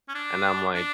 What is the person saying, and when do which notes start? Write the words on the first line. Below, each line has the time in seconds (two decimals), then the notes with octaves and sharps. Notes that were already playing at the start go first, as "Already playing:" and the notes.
And I'm like,
0.08 C#4
0.14 D4
0.74 D4